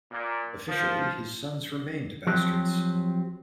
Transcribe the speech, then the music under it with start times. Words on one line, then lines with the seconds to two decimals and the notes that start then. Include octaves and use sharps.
Officially his sons remained bastards.
0.11 A#2
0.69 F3
2.27 F3 F#3 C4 G4